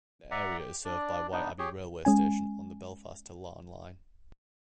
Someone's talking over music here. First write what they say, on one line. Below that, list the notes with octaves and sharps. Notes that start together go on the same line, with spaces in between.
The area is served by Whiteabbey railway station on the Belfast to Larne line.
D5 E5 F#5 A#5
G4
D4 D5
B3 D4 D#4
G4 G#4 C#5
G#3 C#4 G#5